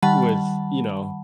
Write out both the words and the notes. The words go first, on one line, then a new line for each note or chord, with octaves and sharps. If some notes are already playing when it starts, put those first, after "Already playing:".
with, you know
D#3 G3 F#5 A5 B5